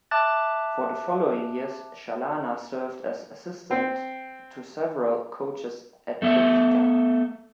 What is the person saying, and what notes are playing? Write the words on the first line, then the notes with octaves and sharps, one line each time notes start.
For the following years, Chalana served as assistant to several coaches at Benfica.
E5 A5 D6 F#6 A6
C4
A3 B3 E5